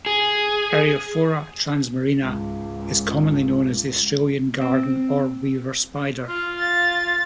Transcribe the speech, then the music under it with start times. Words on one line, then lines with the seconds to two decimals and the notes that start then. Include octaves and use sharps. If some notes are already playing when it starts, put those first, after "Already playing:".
"Eriophora transmarina" is commonly known as the "Australian garden orb weaver spider".
0.06 G#4
2.20 C#2 G#2
4.61 C4
6.28 F4 F6
6.59 F5 A6